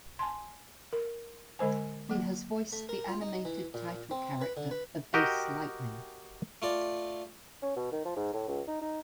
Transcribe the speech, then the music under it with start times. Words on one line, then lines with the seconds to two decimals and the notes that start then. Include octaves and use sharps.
He has voiced the animated title character of Ace Lightning.
0.19 G#5 A5 C6
0.93 A#4
1.59 D3 G#3 C5 G#5
2.10 F#3 A#3
2.73 A3
2.89 A#4
3.08 F4
3.21 D#4
3.45 E3
3.74 A#2
4.11 C4
4.41 B4
4.57 D3
4.71 B4
5.14 F#4 G4 A#4 D#5 G5
6.62 A3 F4 D5
7.62 C#4
7.76 B2
7.92 D#3
8.05 F3
8.16 G#2
8.33 A2
8.48 C#2
8.67 D#4
8.81 D#4